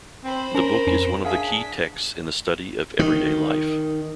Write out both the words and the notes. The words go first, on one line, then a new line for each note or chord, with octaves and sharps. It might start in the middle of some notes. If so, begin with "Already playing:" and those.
The book is one of the key texts in the study of everyday life.
C4 C5 B5
C#4 A#4
F2 C#4
D4 G#4 E5 F5 G#5 B6
D#3